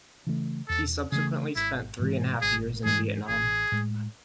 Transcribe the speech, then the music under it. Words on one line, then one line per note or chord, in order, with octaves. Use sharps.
He subsequently spent three and a half years in Vietnam.
C#3 E3 A3
E2 A4
C#3 E3 A3 G#4
G#1 E4
G#2 E3 G#3
G#1 G#4
G#2 E3 G#3 G#4
A1 G#4
A2 G#3